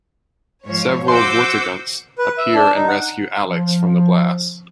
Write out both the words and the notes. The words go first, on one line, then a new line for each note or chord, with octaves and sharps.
Several Vortigaunts appear and rescue Alyx from the blast.
G#2 F3 C#5
F#4 C5 C6 D6 E6 G6
B4
E5
D4
D#4
F#5
F3